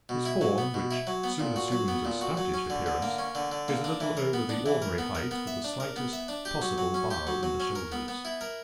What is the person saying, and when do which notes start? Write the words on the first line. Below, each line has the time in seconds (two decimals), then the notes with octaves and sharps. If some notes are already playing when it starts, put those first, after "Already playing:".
His form, which soon assumed a stoutish appearance, is a little over the ordinary height with the slightest possible bow in the shoulders.
0.09 B2
0.25 E4
0.41 F#3
0.58 B3
0.74 B2
0.91 E4
1.07 F#3
1.24 B3
1.40 A#2
1.56 F#4
1.72 F#3
1.88 B3
2.05 A#2
2.21 F#4
2.37 F#3
2.54 C#4
2.70 D3
2.86 D3
3.02 A#3
3.18 C#4
3.35 D3
3.52 D3
3.68 A#3
3.84 D4
4.00 E3
4.17 A#4
4.33 B3
4.49 D4
4.66 E3
4.82 A#4
4.98 B3
5.15 A#4
5.31 B3
5.47 E5
5.64 D4
5.80 A#4
5.96 B3
6.13 E5
6.28 D4
6.45 G4
6.62 F#3
6.78 F#3
6.94 C#4
7.11 G4
7.27 F#3
7.43 F#3
7.60 C#4
7.75 A#4
7.92 B3
8.08 B3
8.25 E4
8.41 A#4